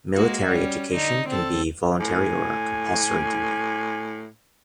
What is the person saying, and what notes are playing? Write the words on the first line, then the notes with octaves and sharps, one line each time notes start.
Military education can be voluntary or compulsory duty.
G#3 A#3 F#4
G3 C#4
D3 D#4
C4 A4
A2 G#5